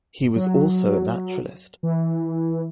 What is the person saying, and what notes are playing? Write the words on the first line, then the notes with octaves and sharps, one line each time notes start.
He was also a naturalist.
F#3
E3